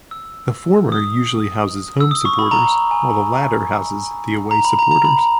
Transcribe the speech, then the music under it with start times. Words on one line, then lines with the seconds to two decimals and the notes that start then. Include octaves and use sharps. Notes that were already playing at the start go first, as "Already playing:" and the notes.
The former usually houses home supporters while the latter houses the away supporters.
0.11 E6
0.92 D#6
2.01 E6
2.11 D#6
2.25 C#6
2.39 B5
2.51 A#5
2.91 G#5
4.51 A#5
4.65 B5
4.79 A#5
4.91 A#5
5.05 B5
5.19 A#5